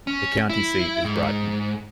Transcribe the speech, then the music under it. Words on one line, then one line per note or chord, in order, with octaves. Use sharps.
The county seat is Brighton.
C#4
E4
G#2